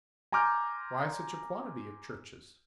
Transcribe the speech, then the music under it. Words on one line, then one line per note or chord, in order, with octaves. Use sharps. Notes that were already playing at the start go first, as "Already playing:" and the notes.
"Why such a quantity of churches?"
G#5 A#5 C6 D6 F6 G6